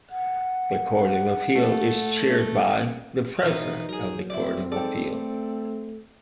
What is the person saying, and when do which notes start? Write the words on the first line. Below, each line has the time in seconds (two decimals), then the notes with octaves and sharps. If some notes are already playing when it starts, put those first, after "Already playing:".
The Court of Appeal is chaired by the President of the Court of Appeal.
0.10 F#5
1.56 A3
3.42 B2 E3 B3 D#4 C5
3.89 F#3 G#4 A#4
4.30 C4 E4 D5
4.72 G#2 A4 D5 G5
5.07 A3